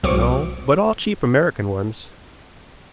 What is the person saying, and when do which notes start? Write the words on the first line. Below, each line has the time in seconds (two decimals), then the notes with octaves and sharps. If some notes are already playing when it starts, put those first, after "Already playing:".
"No, but all cheap American ones."
0.03 C2 F#3 C4 C#6 D6